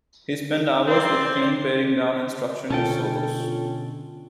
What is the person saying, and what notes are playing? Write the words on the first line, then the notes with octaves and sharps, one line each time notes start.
He spent hours with Clink paring down and structuring his solos.
C4 D5 C6
B2 D3 C#4 D4 F4 A4 G5